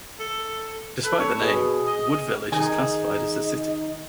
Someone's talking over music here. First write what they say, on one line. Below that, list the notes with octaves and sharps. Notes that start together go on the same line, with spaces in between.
Despite the name, Wood Village is classified as a city.
A4
A4 B4
C#5
B2 G#4
D#5
D#3 D#4 G#4